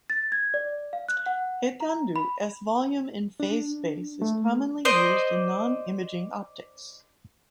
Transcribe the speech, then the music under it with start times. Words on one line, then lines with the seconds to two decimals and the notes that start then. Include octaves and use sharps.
Etendue as volume in phase space is commonly used in nonimaging optics.
0.10 A6
0.32 G#6
0.54 D5
0.93 F5
1.09 F#6
1.26 F#5
1.80 A#5
2.16 B5
3.40 D4
4.22 A3
4.85 C5 D5 D#5